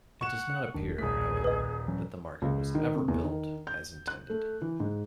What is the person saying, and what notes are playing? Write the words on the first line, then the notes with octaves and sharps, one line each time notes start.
It does not appear, however, that the market was ever built as intended.
F#5 C#6 E7
E1 D#3 D4
D#1 B1 A3 G#4 B6
B4 D#5
E3 F#3 C#4
C#2
D#3
C3
E2
D#3
G6
F#6
A3
E3
G#2